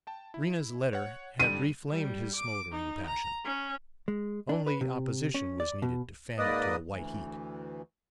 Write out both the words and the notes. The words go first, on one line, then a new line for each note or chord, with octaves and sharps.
Rena's letter had re-inflamed his smouldering passion; only opposition was needed to fan it to a white heat.
G5 A5
E4
C#5 F#5
F2 D3 G3 D#7
G3
D6
D#4
A#5
C#4
G#3
D4
B4
C3
C#4
D5
B2
G#2 A#3 B4 D5 D#5 D#6
D2 E3